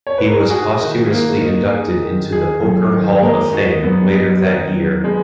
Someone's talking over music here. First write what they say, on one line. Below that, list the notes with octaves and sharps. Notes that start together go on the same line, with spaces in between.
He was posthumously inducted into the Poker Hall of Fame later that year.
C#5
B4
A#4
G#4
F#4 G#4
D#3
A#3
D#4
G#4
D#3
D#4 G#4
F#2
D#3
G#3 A#4
D#4 F#4
F#2 B3
D#4
D#3
F#3
G#3 B3